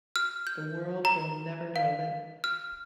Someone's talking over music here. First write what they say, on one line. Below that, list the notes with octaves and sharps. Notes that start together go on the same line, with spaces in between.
The world will never know of it.
F6
G6
A#5
F5
F6